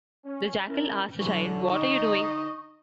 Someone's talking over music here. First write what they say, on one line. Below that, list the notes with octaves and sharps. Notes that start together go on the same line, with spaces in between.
The jackal asked the child: What are you doing?
C#4
E3 C#4 E4 A#4
B1 D3 E3 A#5 C#6
D3 D#4 D#5